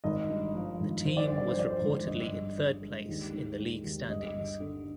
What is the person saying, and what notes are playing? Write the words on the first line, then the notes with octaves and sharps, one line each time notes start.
The team was reportedly in third place in the league standings.
G#1 D#5
G2
F3
G#1
G#1 C5
D5
G2 C5
D5
C5
F3 D5
C5
G#1
G1 D#5
G2
D3
G#3
D#2
D#3
G#3
D#2
G1 D#5
G2
D3